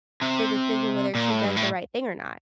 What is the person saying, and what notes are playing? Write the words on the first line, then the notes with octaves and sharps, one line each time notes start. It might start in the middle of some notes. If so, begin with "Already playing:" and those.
the decision whether she does the right thing or not.
C3
A#2
A2
G2
A2